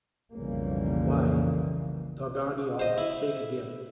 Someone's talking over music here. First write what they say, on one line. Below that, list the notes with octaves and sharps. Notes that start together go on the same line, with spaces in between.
Why, doggone you all, shake again.
B1 F2 C#3 E3 G3 A#3
C5 D#5
E4